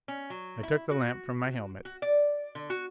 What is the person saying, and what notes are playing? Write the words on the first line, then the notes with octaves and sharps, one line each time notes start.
I took the lamp from my helmet.
C#4
F#3
E4
F#4
F#4
D5
D3
F#4